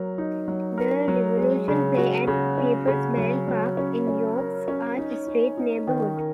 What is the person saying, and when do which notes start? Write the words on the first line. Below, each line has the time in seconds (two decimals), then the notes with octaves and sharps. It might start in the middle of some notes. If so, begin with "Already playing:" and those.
The Revolution play at PeoplesBank Park in York's Arch Street neighborhood.
Already playing: F#3 A#4
0.18 D#4
0.48 F#3
0.78 A#4
1.08 F#3
1.37 G#3
1.68 C#3
1.97 F#4
2.27 C#3
2.58 C#4
2.87 C#3
3.17 F#3
3.48 F#3
3.77 C#4
4.08 C#4
4.37 A#4
4.68 C#4
4.98 D#4
5.27 D#4
5.58 D#4
5.87 D#3
6.17 A#4